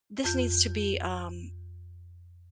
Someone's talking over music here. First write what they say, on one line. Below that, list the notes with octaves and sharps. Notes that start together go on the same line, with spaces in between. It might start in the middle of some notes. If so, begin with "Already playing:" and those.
This needs to be, um,
F2 F4 G6